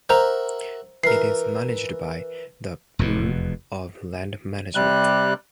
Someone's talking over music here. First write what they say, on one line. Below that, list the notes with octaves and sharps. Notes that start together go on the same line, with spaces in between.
It is managed by the Bureau of Land Management.
F#4 A#4 C5 E5 A#5
E3 A#4 C7
F1 E2 G2 B2
C3 G3 F#6